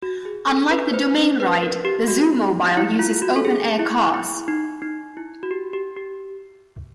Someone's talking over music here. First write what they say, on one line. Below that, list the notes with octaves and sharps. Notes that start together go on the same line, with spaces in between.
Unlike the Domain Ride, the Zoomobile uses open air cars.
F#4
G#4
A4
B4
C5
C5
B4
A#4
G4
F#4
E4
F4
F#4
A4
G#4
E4
E4
D#4
D#4
E4
F#4
G4
G4
G4